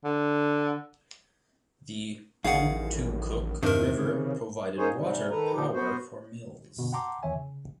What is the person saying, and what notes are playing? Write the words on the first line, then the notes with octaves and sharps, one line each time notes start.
The Contoocook River provided water power for mills.
D3
A1 F#2 D#3 G#4 F5 F#5
E2 G2 C3 D#3 A#4
C#3
A#3 C#4 D#4 G#4 C5 C#5
G#2 C3 G3
D#3 A4 B4 A#5
A#2 F3 D#4 G4
B3 F#4 C5
F#2 B2 D3
F#5 G5 A5 A#5 C6 D6
E2 D#3 E3 C#5 E5 G#5
C#3